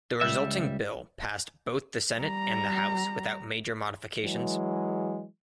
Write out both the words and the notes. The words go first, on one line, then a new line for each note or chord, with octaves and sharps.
The resulting bill passed both the Senate and the House without major modifications.
C#2 G3 E5
G3 A#5
E3 F#3 G#3